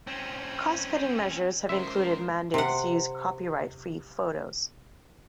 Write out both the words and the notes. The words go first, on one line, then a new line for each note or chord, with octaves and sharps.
Cost-cutting measures have included mandates to use copyright free photos.
C4 C#4
G#3 C#4 A#4 C5 E5 C6
C3 F#5